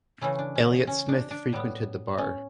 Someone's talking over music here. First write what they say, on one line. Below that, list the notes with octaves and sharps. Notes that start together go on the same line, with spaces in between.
Elliott Smith frequented the bar.
C#3 E3 A3 C#4 E4
D4
C#4
C#4
D4
D4
A2 G3 B3
C#4